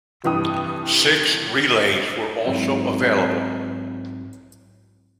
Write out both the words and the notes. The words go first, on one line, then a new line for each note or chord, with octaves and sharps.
Six relays were also available.
F1 G2 E3 G5 D#6
G#2 F#3 C4 E4